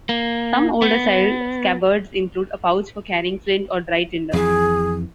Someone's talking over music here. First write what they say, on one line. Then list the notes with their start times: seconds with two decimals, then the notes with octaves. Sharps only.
Some older style scabbards include a pouch for carrying flint or dry tinder.
0.09 A#3
0.82 B3
4.33 F2 E3 G#4